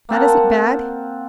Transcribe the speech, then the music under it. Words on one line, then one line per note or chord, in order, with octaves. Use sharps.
That isn't bad.
A#3 C4 F#5 A5